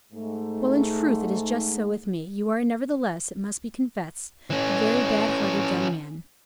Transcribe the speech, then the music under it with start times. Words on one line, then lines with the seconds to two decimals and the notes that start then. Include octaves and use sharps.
"Well! in truth, it is just so with me; you are, nevertheless, it must be confessed, a very bad-hearted young man."
0.13 G#2 A3
4.50 E3 C#4